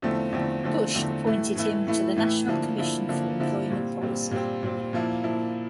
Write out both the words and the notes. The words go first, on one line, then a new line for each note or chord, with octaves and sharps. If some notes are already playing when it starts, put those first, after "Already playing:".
Bush appointed him to the National Commission for Employment Policy.
E2 D3 F3 A3 C4
E2 D3 F3 A3 C4
E2 D3 F3 A3 C4
E2 D3 F3 A3 C4
A2 E3 A3 E4
A2 E3 A3 E4
A2 E3 A3 E4
A2 E3 A3 E4
D3 F3 A#3 E4
D3 F3 A#3 E4
D3 F3 A#3 E4
D3 F3 A#3 E4
A#2 G3 C4
A#2 G3 C4
A#2 G3 C4
A#2 G3 C4
A#2 F3 A#3 E4
A#2 F3 A#3 E4